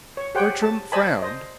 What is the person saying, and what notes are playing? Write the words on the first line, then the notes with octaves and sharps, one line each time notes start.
Bertram frowned.
C#5
G4 G#4 C5 C#5 F#5 G5
A5
C5 D5 D#5 G#5 A5 B5
C5 D#5